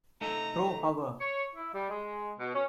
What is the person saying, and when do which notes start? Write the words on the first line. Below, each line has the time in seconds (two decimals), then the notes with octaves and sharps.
Pro Hour.
0.21 A3 D#4 A4 A#5
1.20 C#5
1.56 E4
1.74 G3
1.89 G#3
2.39 B2
2.55 C#4